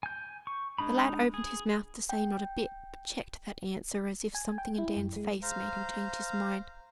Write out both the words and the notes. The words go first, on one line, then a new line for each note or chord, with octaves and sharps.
The lad opened his mouth to say, 'Not a bit,' but checked that answer as if something in Dan's face made him change his mind.
G#5 G6
C#6
G#3 D4 D#4 B5
G#4
G5
G#5
G5
E4
F#2
G#3
C5 F5 A#5